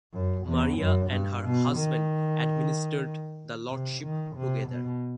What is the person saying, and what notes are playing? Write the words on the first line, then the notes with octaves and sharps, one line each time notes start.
Maria and her husband administered the lordship together.
F#2
E2
F#2
G2
B2
D#3
C3
D#3
C3
B2